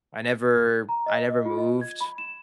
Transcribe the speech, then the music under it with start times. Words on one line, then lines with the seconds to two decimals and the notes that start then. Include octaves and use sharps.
I never I never moved.
0.89 A#5
1.06 D#5
1.29 D#5
1.45 F4
1.58 D#5
1.81 G#6
2.01 B5
2.18 E7